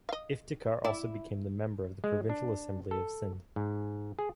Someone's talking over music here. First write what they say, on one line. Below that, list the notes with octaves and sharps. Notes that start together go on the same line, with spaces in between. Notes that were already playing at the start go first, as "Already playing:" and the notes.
Iftikhar also became member of the Provincial Assembly of Sindh.
D#5 F5
E4 D5
G#3
D4
A4
G#2
G#4